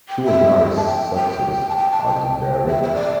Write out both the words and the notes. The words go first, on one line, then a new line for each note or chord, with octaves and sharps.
She was not a success as a director.
G5
E5
A5
G5
G5
A5
G5
A5
G5
E5
E5
D5